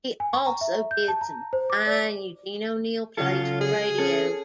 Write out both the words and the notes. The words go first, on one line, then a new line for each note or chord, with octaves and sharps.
He also did some fine Eugene O'Neill plays for radio.
G#5
C#6
A#5
E5
G6
A5
A#5
C5
D6
D5
C#3 F#3 F4 A4
G#4
C#4 A4